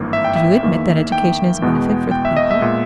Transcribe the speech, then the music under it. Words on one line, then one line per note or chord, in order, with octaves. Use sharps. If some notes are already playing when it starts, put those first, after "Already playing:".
"Do you admit that education is a benefit for the people?"
Already playing: G#1 G2 E3 A#3
E5
G5
E5
E2 D#3 A#3
G5
E2 B2 G#3 B3
G5
E5
D#5
E5
A#2 G#3 B3